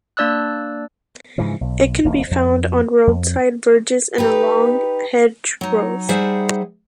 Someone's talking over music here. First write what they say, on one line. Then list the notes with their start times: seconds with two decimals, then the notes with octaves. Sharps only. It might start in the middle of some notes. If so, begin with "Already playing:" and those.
It can be found on roadside verges and along hedgerows.
0.17 A#3 D4 D5 E6 F#6
1.38 G#2 C#3 E3 F3
1.61 B1
2.05 E1 D2 A#3
2.31 F2
3.07 F2
4.18 D#4 G4 B4
5.61 F#3 D#4
6.09 G3 D#4 G#4 C5 E5 F#5